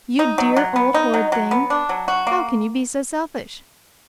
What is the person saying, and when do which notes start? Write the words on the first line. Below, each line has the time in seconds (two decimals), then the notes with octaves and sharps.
"You dear old horrid thing How can you be so selfish?"
0.19 D#4
0.38 F#3
0.56 F#3
0.76 B3
0.94 D#4
1.14 F#3
1.32 F#3
1.51 B3
1.70 D4
1.89 F#3
2.08 F#4
2.27 A#3